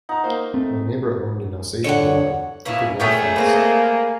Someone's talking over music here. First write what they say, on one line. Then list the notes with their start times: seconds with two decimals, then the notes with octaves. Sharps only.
My neighbour owned an Alsatian dog, it could run fast.
0.09 D#4 F#5 A#5
0.24 A#3 C5
0.54 A3 C4
1.84 D3 C#5 F#5
2.65 B2 A#3 C#4 E4 B4
3.00 D3 A3 B3 G#4 A#4 C#5 E5 G5
3.36 G#3 A#3 C4 B4